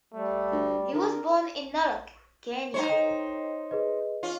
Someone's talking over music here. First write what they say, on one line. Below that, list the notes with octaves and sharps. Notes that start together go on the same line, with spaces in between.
He was born in Narok, Kenya.
G3 A3
D2
D3 A#4
D#4 C5 C#5
A4 D#5 G5
G#4 B4 D#5
C#4 F4